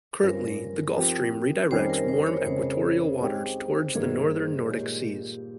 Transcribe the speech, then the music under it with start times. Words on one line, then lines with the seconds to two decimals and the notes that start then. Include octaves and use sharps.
Currently, the Gulf Stream redirects warm, equatorial waters towards the northern Nordic Seas.
0.21 G2 G3 C#4 F4 A#4 C5
0.96 F3 C4 G4 C5
1.71 F2 D#3 G3 C#4 G4 C5
1.90 A#4
2.08 C5
2.27 C#5
2.45 F2 C#3 G#3 C5
3.20 G#3 C4 D#4 G4 C#5
3.95 G2 D#3 G3 A#3 G#4
4.69 A#2 G#3 D#4 G4 G#4 C#5